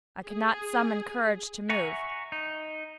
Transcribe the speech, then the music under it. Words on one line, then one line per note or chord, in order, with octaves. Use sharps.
I could not summon courage to move.
G#4
E5 F#5 G#5 A#5 C#6
D#4